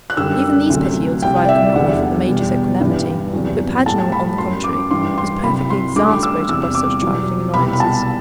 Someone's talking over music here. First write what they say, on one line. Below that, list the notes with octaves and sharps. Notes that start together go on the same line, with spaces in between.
Even these petty ills of life could not ruffle the Major's equanimity; but Paganel, on the contrary, was perfectly exasperated by such trifling annoyances.
F#6
F#2 D3 G3 E6
D2 C3 F#3
C2 C3 G3 G5
D5
E5
E2 D3 G3 F#5
E2 B2 G3
G2 E3 G3
E2 C3 F#3
A2 G3 A5
B5
F#2 F#3 C6
D6
G2 E3 G3 C6
C6
C2 C3 F#3 B5
C6
D2 D3 G3 D6
E6
E2 C3 G3 E6
D6
E2 B2 F#3
C2 B2 G3 B5
B5
A5